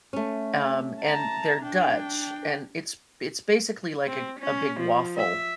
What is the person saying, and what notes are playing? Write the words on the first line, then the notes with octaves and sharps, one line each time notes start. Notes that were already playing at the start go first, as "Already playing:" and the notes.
Um, and they're Dutch, and it's it's basically, like, a a big waffle
A3 C#4
A5 A#5
D4 G5
C4
C#4
F3
E5